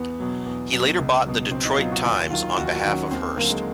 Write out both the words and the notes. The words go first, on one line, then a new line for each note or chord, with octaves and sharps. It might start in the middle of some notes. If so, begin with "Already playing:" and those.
He later bought the "Detroit Times" on behalf of Hearst.
Already playing: E2 B3
B2 F#3
E2
B2 F#3
C#2
B2 F#3
C#2 C4
D#4
B2 F#3 F4
F#4
D#2 F4
D#3 F#3 F4
D#2 F#4
F#4
D#3 F#3
C#4
D#2 C4
D3 F#3 A#3
G#3